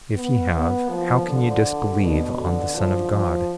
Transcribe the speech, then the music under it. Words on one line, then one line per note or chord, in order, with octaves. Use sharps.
If ye have, how can ye disbelieve on the Son of God?
B3
B3
F3
D3
B2
D3
F3
F3